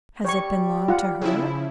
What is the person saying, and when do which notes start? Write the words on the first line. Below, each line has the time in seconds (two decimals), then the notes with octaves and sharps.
Has it been long to her?
0.25 G3 C#5 C#6
0.88 F4 F#5
1.22 C#3 F3 E4